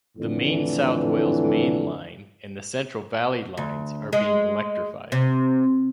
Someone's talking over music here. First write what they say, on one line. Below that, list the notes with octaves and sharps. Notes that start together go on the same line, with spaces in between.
The main South Wales Main Line and the central Valley Lines are being electrified.
F2 A2 D3 E3
D2
G#3
C3